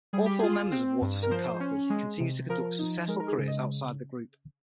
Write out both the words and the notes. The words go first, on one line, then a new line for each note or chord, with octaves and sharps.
All four members of Waterson-Carthy continue to conduct successful careers outside the group.
G3 G#4
G4
F4 G#4
C4
G2
A#4
F3 C5
C#4
G#3
C3
F3 A#4
D#4
G#3 A#4
A#4
G#4
C#3
D#5